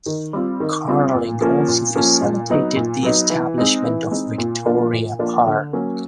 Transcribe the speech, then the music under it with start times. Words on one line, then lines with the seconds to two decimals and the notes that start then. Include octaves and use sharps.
Carling also facilitated the establishment of Victoria Park.
0.06 D#3
0.33 G3 C4 F4
0.60 D#3
0.88 G3 C4 F4
1.15 A#2
1.41 F3 A#3 C#4
1.68 A#2
1.95 F3 A#3 C#4
2.22 A#2
2.50 F#3 B3 D#4
2.76 A#2
3.03 F#3 B3 D#4
3.30 E3
3.58 G#3 C4 D#4
3.84 E3
4.11 G#3 C4 D#4
4.38 A#2
4.66 F3 A#3 D4 F4
4.92 A#2
5.19 F3 A#3 D4 F4
5.46 D3
5.73 F#3 A#3 C#4